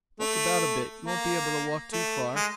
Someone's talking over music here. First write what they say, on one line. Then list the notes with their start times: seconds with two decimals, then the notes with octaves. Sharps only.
Walk about a bit, you won't be able to walk too far.
0.20 A3
1.05 A#3
1.93 A3
2.36 G#3